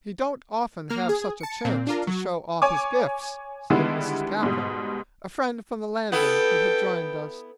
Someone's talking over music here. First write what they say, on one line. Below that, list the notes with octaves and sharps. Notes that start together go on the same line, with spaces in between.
"He don't often have such a chance to show off his gifts," said Mrs. Caplin, a friend from the Landing who had joined us.
A#3 F6
G#4
A5 C#7
A#2 C4
D4 F4 A#4
F#3
C#5 G#5 D6
D3 D#3 G3 G#3 B3 E4
G#2 B2 G3
B3 E4 A4 G5